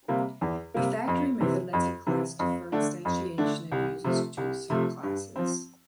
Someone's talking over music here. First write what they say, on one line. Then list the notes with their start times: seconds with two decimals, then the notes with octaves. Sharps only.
The Factory method lets a class defer instantiation it uses to subclasses.
0.08 C3 G3 A#3
0.41 E2
0.74 C3 G3 A#3
1.07 F2
1.41 C3 E3
1.73 F2
2.07 C3 E3
2.39 F2
2.72 D3 A3 D4
3.05 F2
3.38 D3 A3 D4
3.72 C2
4.04 C3 F3 A3
4.37 C2
4.70 C3 F3 A3
5.03 G2
5.36 F3 C4